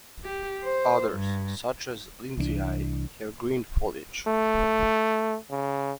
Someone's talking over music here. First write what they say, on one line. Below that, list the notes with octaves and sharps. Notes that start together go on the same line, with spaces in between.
Others, such as 'Lindsayae', have green foliage.
G4
C5
G2
C2 E3 C4 D4
A3
C#3